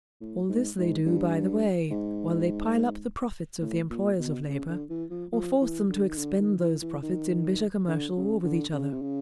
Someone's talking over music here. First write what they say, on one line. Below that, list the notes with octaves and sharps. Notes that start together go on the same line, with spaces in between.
All this they do by the way, while they pile up the profits of the employers of labour, or force them to expend those profits in bitter commercial war with each other.
A2
G#2
G#2
G2
G#2
A2
A#2
B2
C#3
D3
E3
F3
F3
E3
D3
D#3
D3
D#3
E3
E3
D#3
D3
C#3
D3
C#3
C3
C#3